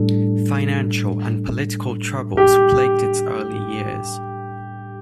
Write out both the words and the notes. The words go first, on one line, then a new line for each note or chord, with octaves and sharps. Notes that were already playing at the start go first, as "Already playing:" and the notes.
Financial and political troubles plagued its early years.
Already playing: A2 G3 D4 A4
G4